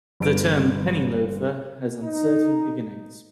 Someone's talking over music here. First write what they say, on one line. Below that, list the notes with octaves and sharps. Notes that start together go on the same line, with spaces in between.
The term penny loafer has uncertain beginnings.
G1 D7
D#4